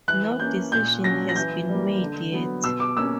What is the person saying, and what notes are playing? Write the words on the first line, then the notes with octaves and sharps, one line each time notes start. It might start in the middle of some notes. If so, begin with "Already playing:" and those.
No decision has been made yet.
E3 F#6
A#3 C#4 G6
A#2 G6
F#3 C#4 A#6
A#6
E3 G6
G3 A#3
D3
F#3 B3
B2 E6
D6
A#3 C#4 E6